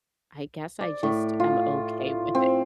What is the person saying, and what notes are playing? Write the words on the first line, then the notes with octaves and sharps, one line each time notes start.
I guess I just am okay with
D5
A2
F4
C4